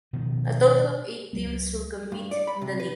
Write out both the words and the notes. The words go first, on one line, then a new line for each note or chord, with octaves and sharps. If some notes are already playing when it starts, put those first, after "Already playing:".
A total of eight teams will compete in the league.
B2 D#3 F3
C#2 F#3 G#3 A#3
G2
D5
B5
C3
B4